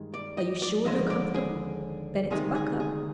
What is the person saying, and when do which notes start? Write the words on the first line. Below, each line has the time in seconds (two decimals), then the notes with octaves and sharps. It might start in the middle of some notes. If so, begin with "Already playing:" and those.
Are you sure you're comfortable?' Then it's 'Buck up!
Already playing: G2 D#3 G#3
0.14 D5
0.37 D#5
0.62 D5
0.85 D#2 D3 F3 G#3 D#5
1.10 D5
1.34 G#4
2.30 D2 C3 D#3 G#3 G#4
2.55 G#4
2.80 G#4